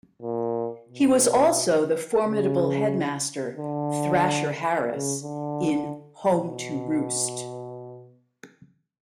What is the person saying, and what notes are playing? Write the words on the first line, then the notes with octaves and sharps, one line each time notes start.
He was also the formidable headmaster "Thrasher" Harris in "Home To Roost".
A#2
B2
C#3
D3
C#3
D3
B2